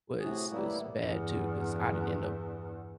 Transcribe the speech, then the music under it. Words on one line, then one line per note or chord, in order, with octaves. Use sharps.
Was was bad too 'cause I didn't end up
A2 C3 F#4 G#4
A2 G3 A#3 B3 E4
E2 G2